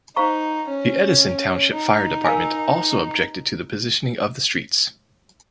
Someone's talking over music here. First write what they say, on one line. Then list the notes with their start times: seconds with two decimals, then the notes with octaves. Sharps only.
The Edison Township Fire Department also objected to the positioning of the streets.
0.16 D#4 C5 F5 A#5 C#6
0.68 C#4
1.72 D#4
2.24 A#4 F5 G#5